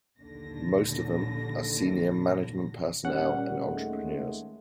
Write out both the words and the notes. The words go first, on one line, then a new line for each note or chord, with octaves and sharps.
Most of them are senior management personnel and entrepreneurs.
A#1 D#2 D3 A#6
A#2 G3 C#4 F#5
D#2 G#3 A3